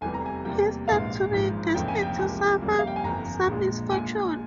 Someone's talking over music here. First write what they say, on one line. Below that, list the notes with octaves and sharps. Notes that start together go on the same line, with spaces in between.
He is thought to be destined to suffer some misfortune.
F1 E2 C3 E3 G3 G#5
A#5
G#5
E2 C3 G3 A#3 G5
A#1 G#2 E3 G#3 F5
G#1 G#2 F3 G#3
F1 F2 C#3 E3 A#3 G5
G#5
G5
C2 C3 F3 G#3 G#5
F2 C#3 G3 A#3
F5
G5
G#5
G1 F2 E3 A#5
A#1 A#2 G#3
A#1 A#2 G#3 G#5